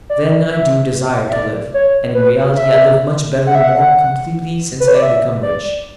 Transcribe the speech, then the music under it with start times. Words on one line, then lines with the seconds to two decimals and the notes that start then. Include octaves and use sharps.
Then, I do desire to live: and, in reality, I live much better, more completely, since I have become rich.
0.10 D5
0.51 E5
1.29 E5
1.33 D5
1.74 C#5
2.15 B4
2.56 E5
3.47 F#5
3.55 E5
3.64 F#5
4.80 B4
4.88 C#5
4.94 D5
5.02 E5
5.42 D5